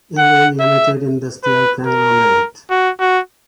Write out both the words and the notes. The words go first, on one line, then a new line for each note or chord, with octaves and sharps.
Irving Limited industrial conglomerate.
F#5
E5
B4
A#4
F#4
F#4